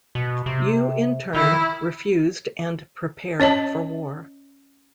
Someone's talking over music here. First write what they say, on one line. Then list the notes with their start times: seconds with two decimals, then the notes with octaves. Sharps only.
Yu in turn refused and prepare for war.
0.15 B2
0.46 C3
1.34 D#3 E4
3.40 C#4 C#5 D#5 A5